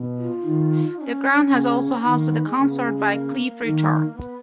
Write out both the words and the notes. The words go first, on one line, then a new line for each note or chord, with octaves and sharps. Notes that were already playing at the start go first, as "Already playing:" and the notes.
The ground has also hosted a concert by Cliff Richard.
Already playing: B2
F4
D#3
D#4
C#4
C#3
D#3 B3
A#3
B3
G#3
C#3 A#3
B3
G#3
G#3
A#3
D#3
B3